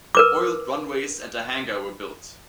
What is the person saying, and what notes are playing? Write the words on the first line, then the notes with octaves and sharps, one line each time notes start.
Oiled runways and a hangar were built.
A#4 B4 D6